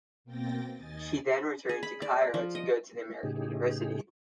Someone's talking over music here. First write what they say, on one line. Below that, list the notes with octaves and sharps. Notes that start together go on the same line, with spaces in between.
She then returned to Cairo to go to the American University.
B2 A#3 C4 G5 A6 A#6
D#2 D#5 G#5 A6
G#4
B5
D5
F3
D#5
A2 C#3 D#4 G4 G#4